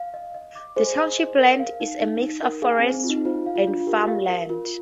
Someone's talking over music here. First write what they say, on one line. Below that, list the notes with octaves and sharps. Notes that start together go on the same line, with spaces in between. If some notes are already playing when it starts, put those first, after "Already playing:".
The township's land is a mix of forest and farmland.
Already playing: F5
D#5
D#5
D6
G#4 C5 D#5
D#5
D#5
A#4
F5
D#4
D#4
D#4
A#4
G#4 F5
C4
C5
C4
F4
D#4
F4 C5
F5
F4
D4
F4
G4 A#4
F5
A#4
F4 A#4